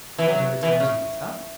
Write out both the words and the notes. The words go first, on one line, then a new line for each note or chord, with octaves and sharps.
"Whatever time do you get up?"
E3
F#3
E3
C#3